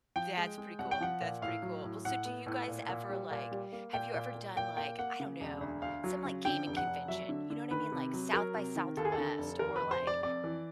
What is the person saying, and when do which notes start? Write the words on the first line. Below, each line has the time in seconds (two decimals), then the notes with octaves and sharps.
That's pretty cool, that's pretty cool. Well, so, do you guys ever, like have you ever done, like, I don't know, some, like, gaming convention, you know what I mean? Like, SXSW or, like,
0.16 F3 G5
0.37 G#3
0.58 G#3
0.79 C2 F#5
0.91 G5
1.00 F3 F#5
1.21 A#2
1.42 A2 F5
1.63 F#3
1.84 A2
2.05 A2 F#5
2.25 B3
2.46 A2
2.68 A#2
2.89 A#2
3.10 G3
3.31 A#2
3.51 G3
3.72 A#3
3.93 A#2 G5
4.14 A#2
4.35 A#3
4.56 A#2 G5
4.77 A#3 G5
4.99 A#3 F#5
5.20 C#3
5.41 E1
5.61 D2
5.82 D2 F5
6.04 F#3
6.25 C#3
6.45 D3 G5
6.66 F1
6.77 F#5
6.87 F1
7.08 F#3 E5
7.29 D3
7.50 D3
7.71 D#3 B4
7.92 C3
8.13 F#3
8.33 F#3 A#4
8.54 C3
8.76 D#3
8.97 D#2 A4
9.05 G#4
9.12 A4
9.18 D3
9.38 F1
9.59 D#2 A#4
9.76 B4
9.81 F1
9.91 C5
10.02 F1
10.07 D5
10.23 F2 D5
10.44 E3